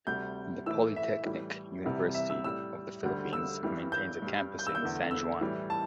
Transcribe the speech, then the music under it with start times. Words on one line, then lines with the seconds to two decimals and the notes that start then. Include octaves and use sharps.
The Polytechnic University of the Philippines maintains a campus in San Juan.
0.07 D2 C3 G3 G6
0.66 A2 E3 A3 E6
0.96 E5
1.25 A2 E3 G3
1.85 C2 C3 E3 G3
2.14 E5
2.30 E6
2.44 A2 G3 E6
3.03 D2 D3 G3
3.33 E6
3.63 G2 E3 G3
3.92 G6
4.22 G2 G3
4.59 G6
4.67 E6
4.75 G6
4.82 E2 D3 A3
5.11 E6
5.41 A2 E3 G3
5.70 A5